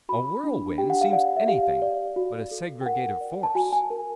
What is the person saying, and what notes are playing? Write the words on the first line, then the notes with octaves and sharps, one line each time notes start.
A whirlwind seems anything but a segregative force.
F#4 B5
D4
G4 G5
F#5
F5
D5 F#5
E5
G4 F5
D5
F#4
A4
G5
A#4 F#5
D5
A5
F#4 G#5
G#5
A#4